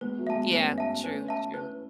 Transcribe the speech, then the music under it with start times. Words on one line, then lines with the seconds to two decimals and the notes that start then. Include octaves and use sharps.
Yeah. True, true.
0.01 G#3 B3 B4
0.18 F#3 A3
0.27 E5 A5
0.35 G#3 B3
0.52 A3 C#4 B4
0.78 E5 A5
1.03 A3 C#4 B4
1.28 E5 A5
1.54 C#4 E4 B4